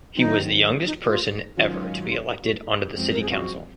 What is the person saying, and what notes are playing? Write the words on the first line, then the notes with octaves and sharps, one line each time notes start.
He was the youngest person ever to be elected onto the city council.
D#3 F#3 C4 D#4
D#4
F4
G#2 D#3 F#3 C#4 F4 F#4
F4
F#4
F#2 F3 G#3 C4
A#4
G#4
F#4